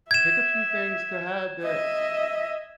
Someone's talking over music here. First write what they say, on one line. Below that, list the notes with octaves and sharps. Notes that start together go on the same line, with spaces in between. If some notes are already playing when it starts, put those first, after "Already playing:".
pick a few things to have that
E5 G#6 E7
D#5 E5